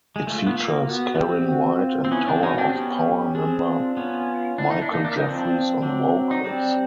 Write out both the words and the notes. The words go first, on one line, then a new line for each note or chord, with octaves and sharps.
It features Karyn White and Tower of Power member Michael Jeffries on vocals.
G#3
A3 F4
B3
A#3
B3 F#4
B3
C4 G4
F#4
F4
C4
B3 C#4 E4
C4 D4
C#4 D#4 F#4
C4 D4
D4
B3 C#4 G4
C4 D4 G#4
F4
B3 C#4
D4 E4
D#4
D4
A#3 D#4
D4
F3 D#4
C4 D4
F3
F#3 C4 D4
D#4
G3 C4 D4